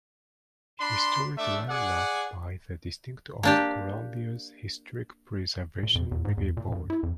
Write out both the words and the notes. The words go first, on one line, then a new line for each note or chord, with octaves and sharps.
Historic Landmark by the District of Columbia's Historic Preservation Review Board.
D4 B5 C6
A3 D4 D5 E5
G#4 D5 F#5
A#3 D4 G4
A#2
F2
E2
G#2
E2
A#2
F#2
E4
F2